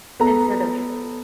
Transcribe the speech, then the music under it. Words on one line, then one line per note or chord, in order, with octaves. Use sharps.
instead of
B3 A4 A#5